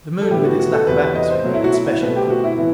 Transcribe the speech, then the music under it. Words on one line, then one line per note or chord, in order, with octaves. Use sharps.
The Moon, with its lack of atmosphere, needed special equipment.
A4
A2 G3 B3 G4
F#4
F#4
A4
E2 C3 F#3 B4
B4
D#5
C5
B2 F#3 A3
E4
F#4
E4
B2 A3 C4 B4
G4
F#4
E4
A2 E3 B3